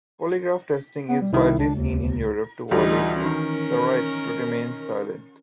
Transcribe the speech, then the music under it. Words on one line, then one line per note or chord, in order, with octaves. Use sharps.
Polygraph testing is widely seen in Europe to violate the right to remain silent.
B3
G3
C2 D#3 E4
C#2 D4
D#2
D2 E3 G3 D#4 F4
D#3 C#4 A#4